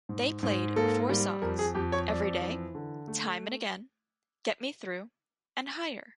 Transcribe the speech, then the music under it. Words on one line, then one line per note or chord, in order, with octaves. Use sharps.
They played four songs: "Everyday", "Time and Again", "Get Me Through", and "Higher".
G#2
G#2
A#3 A4
G3
F2 A#4
G#4
F2 G4
C#5
F2 D5
E3
D3
A3